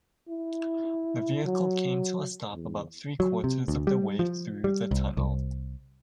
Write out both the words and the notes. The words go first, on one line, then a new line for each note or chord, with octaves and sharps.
The vehicle came to a stop about three-quarters of the way through the tunnel.
E4
F#3
E2
F#3
C3
D2
G3
F3
G3
C2
C2